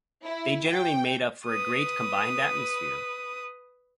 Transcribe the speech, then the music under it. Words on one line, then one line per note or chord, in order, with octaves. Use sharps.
They generally made up for a great combined atmosphere.
E4
G5
B4 D#6